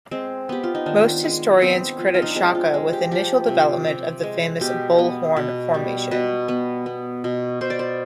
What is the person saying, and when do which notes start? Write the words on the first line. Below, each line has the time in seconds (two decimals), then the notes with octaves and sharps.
Most historians credit Shaka with initial development of the famous "bull horn" formation.
0.11 G#3 C4
0.49 B3 G4
0.64 F4
0.75 D#4
0.86 D#3 D4
1.24 G#3
1.61 B3 C4
1.99 F3
2.14 F4
2.22 D#4
2.29 D4
2.36 G#3 C4
2.55 F4
2.74 G#3
2.93 G4
3.11 F3 G4
3.49 C3
3.87 C3
4.23 G#3
4.61 B2 G4
4.98 B3
5.36 B2
5.74 G3
6.11 B2 B4
6.48 B3
6.86 B3
7.24 B2
7.61 B2 C5
7.70 D5
7.79 C5